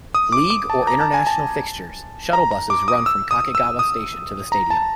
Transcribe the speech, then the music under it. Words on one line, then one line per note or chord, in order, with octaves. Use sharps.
League or international fixtures, shuttle buses run from Kakegawa station to the stadium.
D#6
D6
D6
A5
A#5
A5
G#5
A5
A#5
A#5
D6
D#6
E6
D#6
E6
D#6
A#5
A5